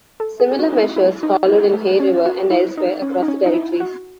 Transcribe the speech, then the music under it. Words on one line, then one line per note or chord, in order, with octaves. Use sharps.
Similar measures followed in Hay River and elsewhere across the Territories.
A4
G#4
G#4
F#4
D#4
E4
E4
D#4
E4
A3
C#4
F#4
E4
D#4
C#4
D#4
C#4
D#4
E4
F#4